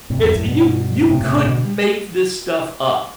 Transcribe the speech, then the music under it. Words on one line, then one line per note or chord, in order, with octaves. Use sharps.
it's you you couldn't make this stuff up.
A2 C3
F#2
E2 G2
F#2 A2
G2 B2
A2 C3
A2 C3
A2 C3
B2 D3